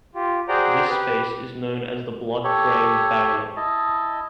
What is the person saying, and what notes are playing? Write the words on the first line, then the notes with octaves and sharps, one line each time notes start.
This space is known as the blood-brain barrier.
F4 G4
F#4 G#4 C5 D5 G5 A#5
G4 B4
G4 A4 C#5
E4 D#5 A5